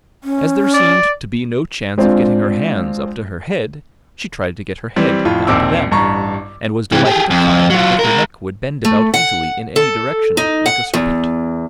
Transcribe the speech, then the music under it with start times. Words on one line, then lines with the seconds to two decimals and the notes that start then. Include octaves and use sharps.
As there seemed to be no chance of getting her hands up to her head, she tried to get her head down to them, and was delighted to find that her neck would bend about easily in any direction, like a serpent.
0.24 C#4
0.74 D5
1.98 G#3 C4 D4 F4
4.96 E3 G3 C4
5.25 F2 A2 F4
5.47 A#1 D#2 C4 D6 E6
5.91 A1 G2 A#5 C#6
6.92 C3 E3
7.05 G4 G#4
7.30 F2
7.70 F#3 F4
7.99 G#3 A#4
8.85 A3
9.14 F#5
9.76 A4
10.37 D#4
10.66 F#5
10.94 E2